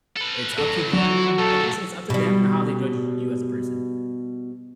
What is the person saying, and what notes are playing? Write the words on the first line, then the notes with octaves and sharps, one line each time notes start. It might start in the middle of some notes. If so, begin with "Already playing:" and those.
It's up to them I guess it's up to them and how they judge you as a person.
A4 B4
A2 F#3 A4
E3 F#3 E4 F#4
B1 A#2 A4
B2 G3